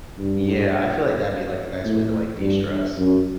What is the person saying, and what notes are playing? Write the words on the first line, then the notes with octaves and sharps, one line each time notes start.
Yeah, I feel like that'd be, like, a nice way to, like, de-stress.
G2
A2
G2
F#2